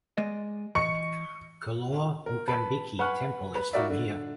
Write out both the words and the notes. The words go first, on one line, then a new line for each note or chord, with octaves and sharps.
Kollur Mookambika temple is from here.
G#3 D5 D#5
E3 D#5 C#6 C#7
A#4
B4 A5 B5
B4 F#5 G#5 C#6 F6 F#6
B4
D#4 F4 F#4 A#4 D5 E5
D3